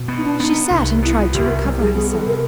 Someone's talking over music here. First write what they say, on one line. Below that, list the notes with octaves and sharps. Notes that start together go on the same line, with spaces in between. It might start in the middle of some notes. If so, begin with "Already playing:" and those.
She sat, and tried to recover herself.
Already playing: B2
B3
D#4
D4
B3 D#4
C2
B3 E4
F4
C2 G4
A#4
G3
G#4
B3 G#4
A4
C3 A#4